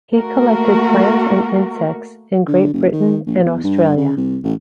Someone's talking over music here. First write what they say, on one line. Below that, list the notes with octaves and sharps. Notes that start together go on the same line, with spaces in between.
He collected plants and insects in Great Britain and Australia.
A3 A#3 F#4 A#4
D3
F#1
D#3
A#1
E2
G2
C#3
C2
A1